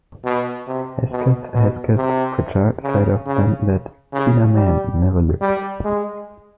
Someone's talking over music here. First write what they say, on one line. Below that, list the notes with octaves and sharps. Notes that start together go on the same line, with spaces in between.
Hesketh Hesketh-Prichard said of them that "keener men never lived".
B2
C3
B2
B2
C3
C#3
C#3
C#3
G3
G3
G#3